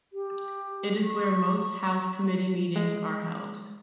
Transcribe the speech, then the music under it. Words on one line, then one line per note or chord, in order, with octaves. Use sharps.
It is where most House committee meetings are held.
G4
C#6
G#3